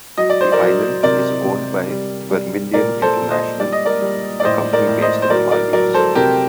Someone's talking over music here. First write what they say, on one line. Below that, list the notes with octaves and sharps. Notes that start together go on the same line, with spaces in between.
The island is owned by Vermilion International, a company based in the Maldives.
F#3 D#5
D5
C5
A#4 D5
F#3
C3 A#4 D5
C3
G3
G3
A#2 A#4 D5
A4 C5
A#2
C5 D#5
G3 D5
D#5
A#4 D5
G3
D5
A2 C5 D#5
A#4 D5
A2
C5 D#5
C5
F#3 A#4 D5
A#4 D5
F#3 A#4 D5
A4 C5
C3 G4 A#4